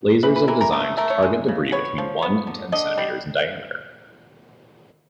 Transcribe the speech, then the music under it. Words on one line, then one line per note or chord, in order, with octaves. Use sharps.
Lasers are designed to target debris between one and ten centimeters in diameter.
E3 B4
B4
E3 A#4
A#4
A3 A#4
A3 A#4
C#5
G#3
C#3
B3 C#5
F3
B3
D3
D3 D#5
G3